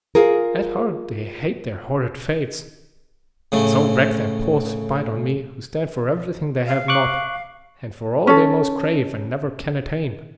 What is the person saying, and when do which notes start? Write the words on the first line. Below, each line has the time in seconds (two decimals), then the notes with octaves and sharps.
At heart they hate their horrid fates, and so wreak their poor spite on me who stand for everything they have not, and for all they most crave and never can attain.
0.15 F4 G#4 A#4
3.52 A2 C#3 A3
6.66 F5
6.88 C#6 D6 F#6
8.27 C#4 A4